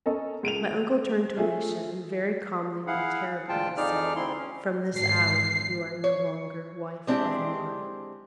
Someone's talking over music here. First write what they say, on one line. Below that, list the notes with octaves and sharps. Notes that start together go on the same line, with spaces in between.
My uncle turned to Alicia, and very calmly and terribly he said, "From this hour you are no longer wife of mine!"
C#4 A4 A#4 D#5
C#2 D7 D#7 F7
A3 F4 G#4 E5
E4 G#4 F5 F#5
D2 A#2 G#3 F4 G5 A5
F2 F3 D#4 G#4 D5 F6
D2 C4 E4 C6
C#4
G#1 C7
C#5
G#3 C4 D4 E4 G4